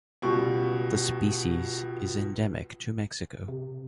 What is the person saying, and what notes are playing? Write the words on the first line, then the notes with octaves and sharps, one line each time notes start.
The species is endemic to Mexico.
C#2 B2 G3 C#6
C3